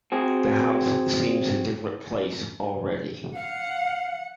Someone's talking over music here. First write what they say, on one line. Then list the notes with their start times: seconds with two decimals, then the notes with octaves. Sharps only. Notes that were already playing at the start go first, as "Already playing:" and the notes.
The house seems a different place already.
0.12 C4 F#4 G#4
3.36 F5 F#5